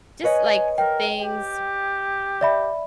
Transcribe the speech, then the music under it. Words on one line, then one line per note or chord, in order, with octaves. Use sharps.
just, like, k things,
B4 C#5 D#5 G#5
A#4 G5
G4
D5 E5 B5